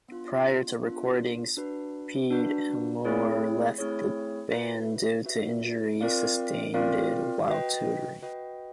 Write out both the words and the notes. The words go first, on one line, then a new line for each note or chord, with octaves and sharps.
Prior to recordings, Pete Hammoura left the band due to injuries sustained while touring.
B3 D4 F4
B3 D4 F4
D4 F#4 B4
D4 F#4 B4
A3 C4 E4 G#4 C#5
A3 C4 E4 G#4 C#5
F#4 B4 E5
F#4 B4 E5
C4 F4 A#4 D5 F5
C4 F4 A#4 D5 F5
F#4 B4 D#5 G5
F#4 B4 D#5 G5